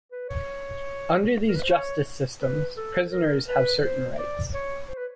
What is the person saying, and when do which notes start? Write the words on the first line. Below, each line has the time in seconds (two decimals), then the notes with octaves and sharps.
Under these justice systems, prisoners have certain rights.
0.12 B4
0.29 C#5
1.48 A#4
1.56 B4
1.63 C5
1.71 C#5
2.41 B4
2.77 A4
3.12 A#4
3.48 B4
3.83 C5
4.18 D5
4.54 C#5
4.88 C5
4.98 B4